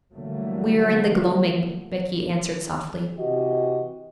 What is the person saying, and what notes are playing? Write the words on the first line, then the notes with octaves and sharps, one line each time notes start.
'We are in the gloaming,' Becky answered softly.
D3 E3 F#3 G3 A3 A#3
C3 E3 F#4 G4 D#5